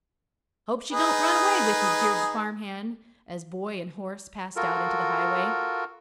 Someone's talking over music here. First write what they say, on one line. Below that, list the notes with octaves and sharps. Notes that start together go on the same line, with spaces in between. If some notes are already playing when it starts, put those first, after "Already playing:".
"Hope she don't run away with ye," jeered the farm-hand, as boy and horse passed out into the highway.
D#4 G#4 B4
F4 F#4 A4 A#4